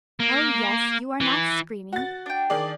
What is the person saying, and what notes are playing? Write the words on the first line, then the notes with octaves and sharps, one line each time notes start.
Oh, yes; you are not screaming.
A#3
E3
F#4 A6
D4 G5
D#3 G#4 D5